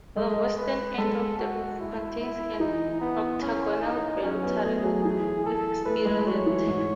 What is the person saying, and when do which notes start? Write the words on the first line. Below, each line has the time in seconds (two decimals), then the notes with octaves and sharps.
The western end of the roof contains an octagonal bell turret with spirelet.
0.16 G#3 D#5
0.57 B4
0.98 G#3 A4
1.39 F#4
1.79 E4
2.20 E4
2.60 E3 D#4
3.01 B3
3.42 C#4
3.82 D#4
4.22 F#3 C#4
4.43 B3
4.63 A3 G#4
4.83 F#3
5.04 E3 G#4
5.45 A4
5.85 A3 B4
6.05 G#3
6.27 F#3 C#5
6.46 E3
6.67 G#2